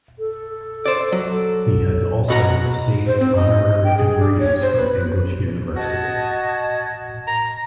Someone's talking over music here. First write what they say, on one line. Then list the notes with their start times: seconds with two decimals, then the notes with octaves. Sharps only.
He has also received honorary degrees from English universities.
0.19 A4
0.86 C5 D5
1.12 F#3
2.28 B2 F#4 A#5
3.06 C5
3.20 C4
3.35 D#5
3.84 G5
3.98 G#4
4.19 D4
4.39 C#5
4.62 C5
4.76 B4
5.76 F#4 D#5 A5 G#6
7.28 A#5